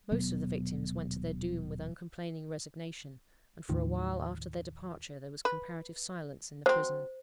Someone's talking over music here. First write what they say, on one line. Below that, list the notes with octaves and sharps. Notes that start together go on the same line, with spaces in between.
Most of the victims went to their doom with uncomplaining resignation, and for a while after their departure there was comparative silence in the prison.
D#1 B2 F#3 B3
D#2 A2 D#3 F3
B4
F#3 C4 C5